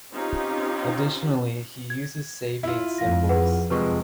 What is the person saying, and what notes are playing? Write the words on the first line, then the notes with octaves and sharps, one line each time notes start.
Additionally, he uses Sabian cymbals.
C4 C#4 D#4 F4 G4
G#6
E4 F4
F2 F5 A#6
G#4 B4 F#5
C3 F3 G#3 B4 C#6